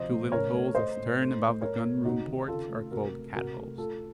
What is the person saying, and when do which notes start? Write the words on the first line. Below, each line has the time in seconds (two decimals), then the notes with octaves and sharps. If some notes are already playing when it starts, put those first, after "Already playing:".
Two little holes astern, above the Gun-room ports, are called Cat-holes.
Already playing: C3 F3 C5 D#5
0.09 A2
0.31 C#3 A#4 C#5
0.53 A3
0.75 A3 C5 D#5
0.96 A2
1.18 A3
1.40 A3
1.61 A2 A#4 C#5
1.83 A3
2.04 C3 D#4 F#4
2.27 D#3
2.48 C#3 F4 A4
2.69 A3
2.91 C3 F#4 A#4
3.13 A3
3.34 C3 F#4 A#4
3.57 A3
3.78 A3 F4 A4